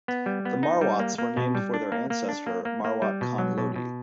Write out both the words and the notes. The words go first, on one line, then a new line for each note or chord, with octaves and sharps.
The Marwats were named for their ancestor Marwat Khan Lodi.
B3
G3
B3
D#4
G3
A#3
A#3
B2
G3
D4
A#3
A#3
D4
A#3
A#3
A#3
G3
B2
F#3
B2
B2